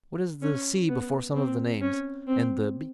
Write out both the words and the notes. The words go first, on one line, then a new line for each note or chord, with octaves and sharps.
What is the 'C' before some of the names, and the 'B.
C#4
B3
C4
C#4
C4